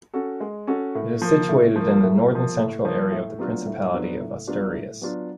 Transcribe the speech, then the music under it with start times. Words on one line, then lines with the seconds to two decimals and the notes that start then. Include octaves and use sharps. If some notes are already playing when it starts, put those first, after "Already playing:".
It is situated in the northern-central area of the Principality of Asturias.
0.14 C#4 F#4 A4
0.41 G#3
0.67 C#4 F#4 A4
0.95 A2
1.22 F3 A#3
1.49 A2
1.76 F3
1.81 A#3
2.03 A2
2.31 F3 A#3
2.58 A2
2.85 F3 A#3
3.12 A2
3.39 F#3 B3 D4 F4
3.67 A2
3.93 F#3 B3 D4 F4
4.20 A2
4.47 F#3 B3 D4 F4
4.74 A2
5.01 F#3 B3 D4 F4